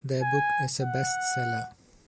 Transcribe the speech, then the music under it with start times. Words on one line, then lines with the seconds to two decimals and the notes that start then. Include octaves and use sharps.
Their book is a best seller.
0.22 G#5
0.83 F#5